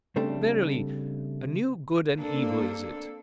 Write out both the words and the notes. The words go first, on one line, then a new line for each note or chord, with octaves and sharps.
Verily, a new good and evil is it!
C#3 G3 A3 C4 D4 A4
A#3 C4 D4 A4